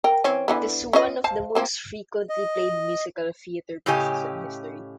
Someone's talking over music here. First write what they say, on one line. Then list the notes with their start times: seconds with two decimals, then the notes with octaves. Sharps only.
It is one of the most frequently played musical theatre pieces in history.
0.04 A#4 G5
0.24 E3 C4 C#4
0.48 D3 E3 B3
0.93 C#4 F4 D#5
1.24 C5 F5 A5
1.55 F3 A#3 C4
2.29 D#5
3.86 A2 C#3 C#4 G4 D#5 G#5